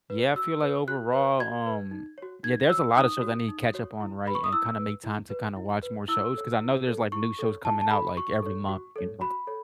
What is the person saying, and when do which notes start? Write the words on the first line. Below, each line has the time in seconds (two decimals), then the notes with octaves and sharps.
yeah, I feel like overall, um, yeah, there's a lotta shows I need to catch up on, right? And kinda make time to kinda watch more shows 'cause I know there's like new shows coming out like every month, you know.
0.10 B4
0.36 F#4 E6
0.62 B4
0.88 F#4 F#6
1.13 B4
1.39 F#4 G#6
1.66 B4
1.91 D#4
2.18 F#4 C#5
2.43 D#4 G#6
2.70 F#4 C#5 E6
2.95 D#4 D#6
3.22 F#4 C#5
3.48 D#4
3.74 F#4 C#5
4.00 E4
4.26 B4 B5
4.35 C#6
4.44 D#6
4.53 E4 E6
4.79 B4
5.04 E4
5.30 B4
5.56 E4
5.83 B4
6.08 E4 E6
6.34 A4 C#5
6.60 E4
6.87 A4 C#5
7.12 E4 C#6
7.39 A4 C#5
7.65 E4 A5
7.81 A5
7.90 A4 C#5 B5
8.16 F#4 C#6
8.43 A4 C#5
8.69 F#4
8.96 A4 C#5
9.21 F#4 B5
9.47 A4 C#5